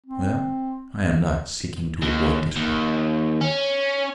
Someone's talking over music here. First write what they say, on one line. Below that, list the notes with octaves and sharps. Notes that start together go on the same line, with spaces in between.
Well, I am not seeking to avoid discredit.
C4
D#2
D#2
C#4